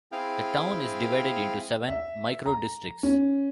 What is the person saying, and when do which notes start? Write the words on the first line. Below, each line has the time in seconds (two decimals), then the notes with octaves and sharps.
The town is divided into seven microdistricts.
0.12 C4 E4 G#4 F5 G5
1.88 E5
2.46 A#5
3.03 C#4